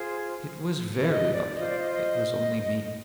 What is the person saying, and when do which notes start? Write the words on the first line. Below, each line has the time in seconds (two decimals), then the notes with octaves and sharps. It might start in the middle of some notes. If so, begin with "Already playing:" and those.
It was very lucky it was only me.'
Already playing: F4 G#4 C5
1.03 F5
1.10 D#5
1.34 D5
1.56 F4 C5 D#5
1.68 D5
1.79 D#5
1.92 D#5